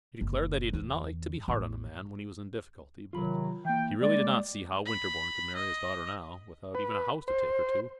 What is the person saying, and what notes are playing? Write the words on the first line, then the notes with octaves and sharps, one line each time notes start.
He declared that he did not like to be hard on a man when he was in difficulty; but he really did not see how Winterborne could marry his daughter now, without even a house to take her to.
F#1
E2
A1
C3 D#3 F#3 F4 B5
E3 A#3 G5
G3 G#3 A#3 D5
B5
D#5
B4
C5